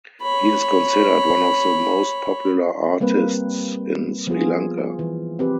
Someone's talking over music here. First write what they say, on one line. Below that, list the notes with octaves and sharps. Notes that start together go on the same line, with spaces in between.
He is considered one of the most popular artists in Sri Lanka.
C#5 B5
G3 A#3 C4 B4
F3 B3 F4 G#4
E3
C4 G4 B4